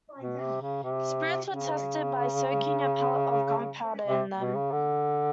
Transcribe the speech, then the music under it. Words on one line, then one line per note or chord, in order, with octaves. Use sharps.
Spirits were tested by soaking a pellet of gunpowder in them.
B2
C3
C#3
C3
C#3
C3
B2
C#3
D3